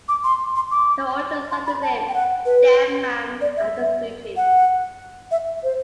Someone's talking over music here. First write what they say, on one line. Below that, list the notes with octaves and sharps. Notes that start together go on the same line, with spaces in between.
The origins of the name "Dammam" are disputed.
D6
C6
C6
D6
C6
B5
A5
G5
F#5
B4
D5
E5
F#5
E5
C5